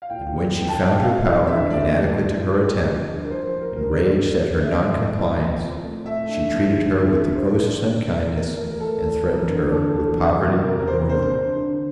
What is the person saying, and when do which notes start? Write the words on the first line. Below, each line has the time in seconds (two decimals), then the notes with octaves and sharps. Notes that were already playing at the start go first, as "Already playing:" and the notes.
And, when she found her power inadequate to her attempt, enraged at her non-compliance, she treated her with the grossest unkindness, and threatened her with poverty and ruin.
0.02 F5
0.10 A#2 G5
0.33 A#2
0.55 F3 G5
0.68 A5
0.79 C4 G5
1.01 C4 F5
1.24 E4
1.47 D3 E5
1.70 A3 D5
1.94 G3
2.17 F4
2.40 F4
2.61 G3
2.84 F3
3.08 D4
3.24 A#4
3.31 F3 C5
3.46 C5
3.53 A#2
3.62 A#4
3.71 C5
3.77 D3 A#4
3.92 D5
4.00 C4
4.07 D5
4.22 F3
4.45 D3
4.61 E5
4.68 C4 D5
4.91 E3
5.13 E3
5.37 C4
5.60 A#2
5.82 A3
6.05 A3 E5
6.29 D4
6.51 F2
6.74 D3
6.96 D4
7.20 D4
7.35 C5
7.43 E3 D5
7.66 D4
7.89 A3
8.11 E3
8.34 E2 A#4
8.57 A3
8.70 A#4
8.80 A3 A4
9.03 E2
9.26 E2 A#4
9.49 D3
9.72 D3 A4
9.94 E2
10.17 C3
10.40 A#3
10.63 C3 A#4
10.79 A#4
10.86 C3 C5
10.94 A#4
11.09 D4 C5
11.32 D4 C5
11.56 D3